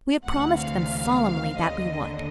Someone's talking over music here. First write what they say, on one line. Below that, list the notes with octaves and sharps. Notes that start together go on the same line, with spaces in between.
We have promised them solemnly that we would.
D2 C3 E3 F#5
F5
D#2 D3 D#5